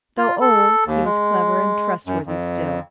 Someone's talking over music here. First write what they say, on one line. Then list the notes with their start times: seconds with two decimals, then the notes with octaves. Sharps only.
Though old, he was clever and trustworthy still.
0.17 F4
0.41 A4
0.86 D#2
1.05 G#3
2.06 F#2
2.26 F2